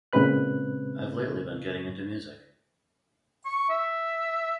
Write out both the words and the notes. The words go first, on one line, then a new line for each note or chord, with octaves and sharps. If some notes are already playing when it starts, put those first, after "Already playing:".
I've lately been getting into music.
A#2 C#3 G#3 C4 B4 F#6
C#6
E5